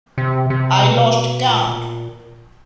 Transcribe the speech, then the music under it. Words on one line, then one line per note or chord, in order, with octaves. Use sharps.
I lost count.
C3
C3
B2
A#2